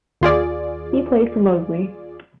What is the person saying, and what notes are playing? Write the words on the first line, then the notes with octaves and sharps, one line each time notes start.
He played for Moseley.
D#2 F4 G#4 D5